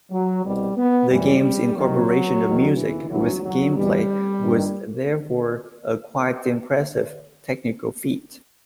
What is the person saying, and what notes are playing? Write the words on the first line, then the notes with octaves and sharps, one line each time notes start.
The game's incorporation of music with gameplay was therefore a quite impressive technical feat.
F#3
C2 B2 G3
B3
F#2 E3 G3
C2 C3 D#3 F#3
E2 D#3
E3
G2 E3 F#3
F#3
E2 B2 G3
G2 D#3